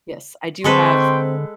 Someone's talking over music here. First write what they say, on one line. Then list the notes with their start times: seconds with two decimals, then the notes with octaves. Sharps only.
Yes, I do have
0.64 D3 G#3 C4 A4 B4 G5 C6 C#6